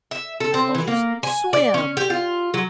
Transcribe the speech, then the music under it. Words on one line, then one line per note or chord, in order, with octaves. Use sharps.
"Eels swim!"
E5
A4
C4
E3
A#3
G#5
D5
C#4
G4
F4
F#3